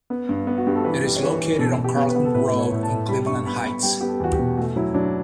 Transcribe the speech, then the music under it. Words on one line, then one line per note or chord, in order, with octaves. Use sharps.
It is located on Carlton Road in Cleveland Heights.
B3
G2
B3
F#4
G2 G4
A4
E3 B4
G3
C#5
E3 B4
E3
B2 A4
B2
G4
B3
B4
B3
A4
A2 B4
A3
C#5
A2
A5
A2
G3 B5
G2 C#6
B3 B5
B3 B5
G3 G5
B3 G4
A4
E2 F#4
G4
B2
A3 F#4
F#3 E4
F#3 D4